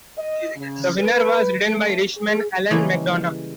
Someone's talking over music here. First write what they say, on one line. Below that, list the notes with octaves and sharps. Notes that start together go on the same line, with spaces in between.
The winner was ridden by Irishman, Alan McDonough.
D#5
C#3
B4
A3
G#4
C#3 E3 G3 G#3 A#3